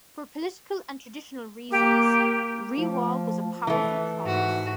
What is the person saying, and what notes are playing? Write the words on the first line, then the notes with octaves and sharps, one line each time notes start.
For political and traditional reasons, Rewa is a powerful province.
A#3 G4 D6
F3 A3 A5
E3 A3
G#2 F#4